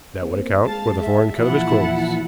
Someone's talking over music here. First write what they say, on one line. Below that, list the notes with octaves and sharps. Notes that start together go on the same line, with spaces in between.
That would account for the foreign cut of his clothes.
A#3 C4
G#3 F5 A5 A6
E5
A#2 E3 F3 E4 F#5 A5